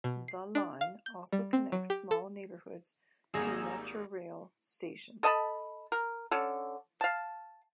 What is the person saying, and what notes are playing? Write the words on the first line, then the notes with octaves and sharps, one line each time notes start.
The line also connects small neighborhoods to Metrorail stations.
B2
C7
D4
F5
G6
G3
C4
F#3
G4
A4
G#1 G3 A#3 D#4 G#4 G#5 A#5 E6
A4 D#5 A5 B5
A#4
D3 C#4 A4
F5 A5